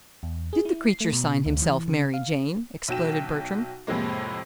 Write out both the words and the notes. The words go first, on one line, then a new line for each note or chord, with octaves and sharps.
"Did the creature sign himself 'Mary Jane'?" exploded Bertram.
E2
G#4
E4
C7
A3
B2
D2
E3
C#3
F5
B1 F#3 G5 E7
F2 A2 C3 G#3 A#3